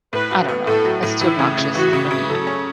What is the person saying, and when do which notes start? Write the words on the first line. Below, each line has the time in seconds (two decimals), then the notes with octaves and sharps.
I don't know, it's too obnoxious for me.
0.13 A2 B4
0.31 F#4
0.48 B3
0.67 A2 A4
0.85 F#3
1.03 A2
1.21 E3 E4
1.39 C#3
1.58 C#3
1.75 E3 F#4
1.93 C#3
2.11 C#3
2.29 F#3 A4
2.47 C#4